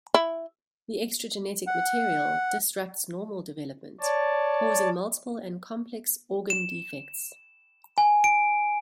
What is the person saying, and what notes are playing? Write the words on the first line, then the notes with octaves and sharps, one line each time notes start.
The extra genetic material disrupts normal development, causing multiple and complex organ defects.
E4
F#5
C#5 D5 A5
E7
G#5
D7